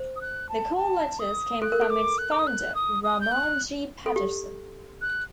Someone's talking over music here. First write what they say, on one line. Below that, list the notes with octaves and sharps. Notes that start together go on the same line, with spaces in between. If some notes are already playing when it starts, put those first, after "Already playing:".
The call letters came from its founder, Ramon G. Patterson.
Already playing: C5
D#6
F#6
A5
A5
D#6
A4 F#6
A#4
A4
D6
F#6
D6
D#6
F#6
D#6
D#6
G6
F#6
A4
G4
F#6